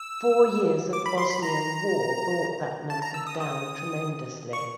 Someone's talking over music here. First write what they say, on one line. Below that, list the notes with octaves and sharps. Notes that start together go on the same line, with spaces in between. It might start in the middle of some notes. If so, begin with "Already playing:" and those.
Four years of Bosnian War brought that number down tremendously.
Already playing: E6
D6
B5
C6
B5
A#5
A5
A#5
E6
D#6
D#6
C#6